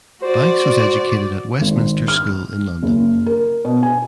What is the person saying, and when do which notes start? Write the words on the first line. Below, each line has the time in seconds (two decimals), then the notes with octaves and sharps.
Banks was educated at Westminster School in London.
0.22 F#4 C5 D5
1.61 G#1
2.08 F6
2.83 F#1
3.26 A#4
3.65 B2
3.83 G#5